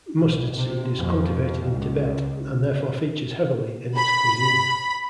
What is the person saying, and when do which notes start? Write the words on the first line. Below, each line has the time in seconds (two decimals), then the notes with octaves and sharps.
Mustard seed is cultivated in Tibet, and therefore features heavily in its cuisine.
0.20 B1
0.55 C3
0.97 F2
1.71 C#2
3.96 B5